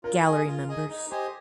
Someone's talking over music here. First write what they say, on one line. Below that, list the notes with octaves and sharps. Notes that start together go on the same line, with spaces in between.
Gallery members.
F4 A#4
G#4 D#5 G#5
F4
G#4 D#5 G#5
D#4
G4 C5 D#5 G#5